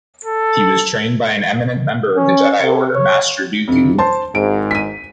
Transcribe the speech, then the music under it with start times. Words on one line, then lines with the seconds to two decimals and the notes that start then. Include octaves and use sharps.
He was trained by an eminent member of the Jedi Order: Master Dooku.
0.25 A4
2.17 C#4
2.62 C3
2.94 C#5
3.68 F2 C3
3.98 C5 A5 C6
4.35 G#1 G#2 D7
4.71 B6 D#7